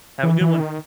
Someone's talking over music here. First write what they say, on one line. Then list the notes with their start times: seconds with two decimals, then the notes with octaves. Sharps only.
Have a good one.
0.23 E3
0.41 E3
0.60 D#3